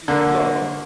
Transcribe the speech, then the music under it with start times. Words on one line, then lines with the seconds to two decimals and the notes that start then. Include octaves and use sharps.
You you love him.
0.08 D3 A#3